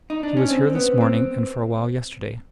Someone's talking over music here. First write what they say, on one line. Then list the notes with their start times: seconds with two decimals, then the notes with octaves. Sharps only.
"He was here this morning and for a while yesterday."
0.10 D#4
0.23 D4
0.37 C#4
0.51 C4
0.75 B3
1.01 C4